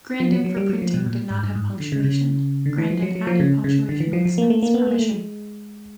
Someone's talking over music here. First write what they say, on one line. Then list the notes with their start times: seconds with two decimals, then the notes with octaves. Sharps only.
Grandin for printing did not have punctuation; Grandin added punctuation with Smith's permission.
0.20 F3
0.32 F#3
0.45 F#3
0.57 G3
0.69 F#3
0.82 F3
0.94 B2
1.06 A#2
1.30 G#2
1.43 G2
1.55 G#2
1.80 D3
1.92 C#3
2.00 C3
2.04 C#3
2.66 D3
2.78 E3
2.91 F3
3.02 F#3
3.15 F#3
3.27 F3
3.40 C#3
3.64 C#3
3.89 D3
4.00 E3
4.13 F3
4.25 F3
4.38 A#3
4.50 A3
4.63 A#3
4.74 B3
4.87 A#3
4.99 A3
5.11 G#3